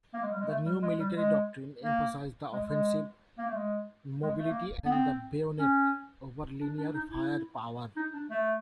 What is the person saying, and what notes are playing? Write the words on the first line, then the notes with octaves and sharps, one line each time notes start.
The new mililary doctrine emphasised the offensive, mobility and the bayonet, over linear firepower.
A#3
G#3
G3
G#3
A3
G3
G#3
G3
G#3
A#3
G#3
G#3
A#3
A3
G#3
G#3
A3
A#3
B3
C4
C#4
D4
D4
D#4
E4
D#4
D4
A3